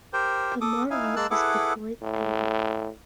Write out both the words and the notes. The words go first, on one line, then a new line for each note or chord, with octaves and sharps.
The moral is the great thing.
G4 A#4 C5 G5
A4 D6 D#6
D#4 E4 F5 G#5
G#3 A#3 A5 E6 F#6
E4 G#4 A4 B4 F#5 D6
A2